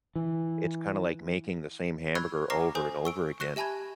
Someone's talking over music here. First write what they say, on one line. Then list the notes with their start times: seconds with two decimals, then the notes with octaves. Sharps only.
It's kinda like making the same hamburger over and over again.
0.16 E3
2.15 B5 C#6 E6 F#6 G#6
2.50 A#5 C#6 D6 F6 A#6 C7
2.75 A4 C5 G#5 D#6 G6
3.05 C#6 E6 D7
3.40 C#6 F#6 A#6 E7
3.56 G4 E5 G#5 A5 B5 G#6